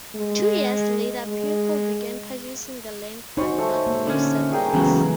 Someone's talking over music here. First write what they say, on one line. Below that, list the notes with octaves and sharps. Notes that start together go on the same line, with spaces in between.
Two years later people began purchasing the land but not new settlers.
G#3
G#3
D#4 F#4 C5 C#5 G#5
A3 E5 A5
A#3
D3 C#4
G#4 A#4 G5
C#3 E3 F#3 G#3 B3